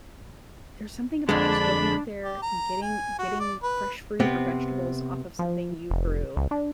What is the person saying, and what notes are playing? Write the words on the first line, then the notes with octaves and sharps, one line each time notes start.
there’s something about just going out there getting getting fresh fruit or vegetables off of something you grew.
F2 D3 G#3 D4 B5
G4
A#5
G#5
F#4
D5
B4
C3 B3 C4
F3
F1
C#2
D4